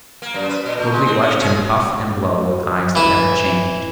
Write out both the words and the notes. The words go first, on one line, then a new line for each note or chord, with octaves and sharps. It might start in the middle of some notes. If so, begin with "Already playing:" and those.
Mowgli watched him puff and blow with eyes that never changed.
A#3
F#2
B4
A#2
A3
G#3
C4
C#4
G#4
E3 E4